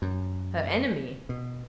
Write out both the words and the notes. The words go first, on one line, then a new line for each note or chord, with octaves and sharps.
"Her enemy?"
F#2
B2